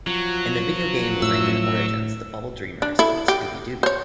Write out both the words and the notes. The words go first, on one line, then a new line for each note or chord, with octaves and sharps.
In the video game "Rayman Origins", the Bubble Dreamer speaks Ubbi Dubbi.
F3 F#3
A2 E6
D4
E4 A4
G4
C5 C#5